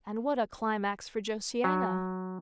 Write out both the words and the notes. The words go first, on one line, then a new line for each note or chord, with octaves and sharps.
And what a climax for Josiana!
F#3